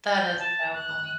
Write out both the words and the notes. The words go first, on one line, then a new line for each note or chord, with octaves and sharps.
That is so funny.
G6
A5
F#6